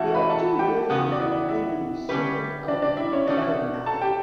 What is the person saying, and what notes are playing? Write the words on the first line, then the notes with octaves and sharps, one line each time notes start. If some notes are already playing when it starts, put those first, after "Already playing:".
There are two versions of Emmi's second album "No Nothing".
Already playing: E3 A3 C#4 E4 F#4 F#5 A5
B4 B5
A4 A5
G4 G5
E2 C#3 B3 F#4 F#5
D5
E4 E5
E4 E5
D3 G3 C#4 G4 B4
D4 D5
D4 D5
E4 E5
C#4 C#5
B2 A3 C#4 D4 F#4 D5
A4 A5
G4 G5